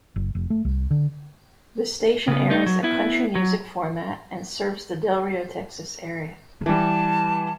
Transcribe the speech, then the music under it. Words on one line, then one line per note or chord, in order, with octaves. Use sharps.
The station airs a country music format and serves the Del Rio, Texas area.
F#1
F1
A3
C2
D3
C#3 B3
A3 D#4
F#3
B3 E4
F#3
E3 G3 A5